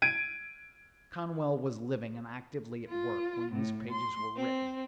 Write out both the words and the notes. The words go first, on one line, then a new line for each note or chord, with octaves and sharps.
Conwell was living, and actively at work, when these pages were written.
G#6 D7 D#7
F4
A2
C6
C4